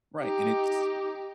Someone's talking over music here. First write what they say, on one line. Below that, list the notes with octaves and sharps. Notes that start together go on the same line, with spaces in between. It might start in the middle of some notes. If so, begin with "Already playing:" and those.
Right, and it's
D#4 G4